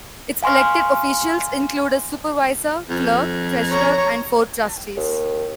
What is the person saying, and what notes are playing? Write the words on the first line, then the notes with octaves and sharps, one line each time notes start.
Its elected officials include a Supervisor, Clerk, Treasurer and four trustees.
F5 G#5 C6 C#6 F6
F2
C#5 A#5
D#2